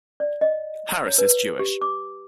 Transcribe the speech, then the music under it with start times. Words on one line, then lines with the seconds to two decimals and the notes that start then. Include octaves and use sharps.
Harris is Jewish.
0.20 D5
0.41 D#5
0.89 A#5
1.06 C#5
1.18 B4
1.59 G4
1.81 D6